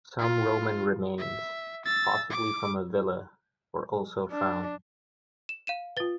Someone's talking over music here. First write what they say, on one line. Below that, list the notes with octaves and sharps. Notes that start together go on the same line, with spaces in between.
Some Roman remains, possibly from a villa, were also found.
F4
E5
E6 A6
D6
D4
E7
F5 D#7 E7
F4 B4 A6 G7